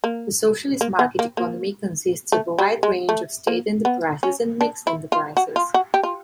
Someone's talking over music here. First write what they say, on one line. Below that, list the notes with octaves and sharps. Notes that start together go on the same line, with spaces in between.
The socialist market economy consists of a wide range of state enterprises and mixed-enterprises.
A#3
A#3
B3
A#3
A#3
A3
G3
G#3
A3
A#3
B3
C#4
D4
E4
F4
F#4
F4
F#4
G4
F4